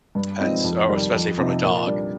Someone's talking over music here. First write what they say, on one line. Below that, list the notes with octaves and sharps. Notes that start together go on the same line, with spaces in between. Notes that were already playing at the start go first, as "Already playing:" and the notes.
and s or especially from a dog,
G2
F3 G#3 C4 D#4
F2
D#3 G3
F2
C3 F3 C4 D#4
A#2
G3 D4